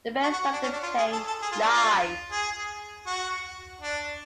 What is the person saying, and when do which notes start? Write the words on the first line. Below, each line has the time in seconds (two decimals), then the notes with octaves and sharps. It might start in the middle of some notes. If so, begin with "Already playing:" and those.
The band started playing live.
0.23 F#4
0.33 F#4
0.53 D4
0.63 C#4
0.73 D4
0.83 F4
0.98 G#4
1.13 A4
1.27 A4
1.42 G#4
1.52 F4
1.62 D4
1.72 F4
2.32 G#4
3.06 F#4
3.81 D4